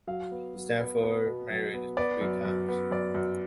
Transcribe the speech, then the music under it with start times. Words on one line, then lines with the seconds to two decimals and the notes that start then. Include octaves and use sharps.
Stafford married three times.
0.07 F#3 F5
0.31 B3
0.55 F#3
0.79 B3
1.03 B3
1.26 B2
1.50 F#3
1.74 B3
1.97 B3 D5
2.21 F#2
2.45 F#2
2.69 B3
2.91 F#2 D5
3.15 F#2